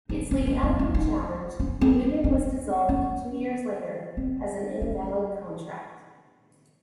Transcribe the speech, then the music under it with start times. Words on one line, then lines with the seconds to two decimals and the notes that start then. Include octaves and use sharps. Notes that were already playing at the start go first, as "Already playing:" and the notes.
Its legality challenged, the union was dissolved two years later as an invalid contract.
0.09 D#4
0.31 C#4
0.47 C#4
0.63 C4
0.79 C#4
0.94 D#4
1.60 C#4
1.81 C4
2.24 C4
2.89 C#4
4.17 C4
4.81 C#4